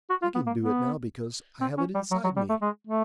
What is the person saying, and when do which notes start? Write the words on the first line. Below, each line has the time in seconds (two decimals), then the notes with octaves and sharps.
I can do it now because I have it inside me.
0.10 F#4
0.22 F4
0.35 B3
0.47 A#3
0.60 B3
1.61 C4
1.78 C#4
1.95 G3
2.11 F#3
2.24 F#3
2.36 G3
2.49 A3
2.62 G#3
2.87 A3